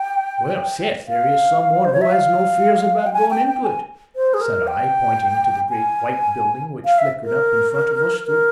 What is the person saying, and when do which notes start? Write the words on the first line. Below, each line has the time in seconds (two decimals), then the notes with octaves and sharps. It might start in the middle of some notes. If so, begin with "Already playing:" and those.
"Well, Seth, there is some one who has no fears about going into it," said I, pointing to the great, white building which flickered up in front of us through the gloom.
Already playing: G5
1.08 F5
1.85 C5
1.93 C#5
2.02 E5
2.11 F5
3.06 G5
3.13 G#5
3.30 G5
3.48 G5
3.64 G#5
4.16 C5
4.34 G#4
4.41 A#4
4.67 G5
5.70 G#5
6.85 F5
6.98 E5
7.24 A#4
8.26 A#4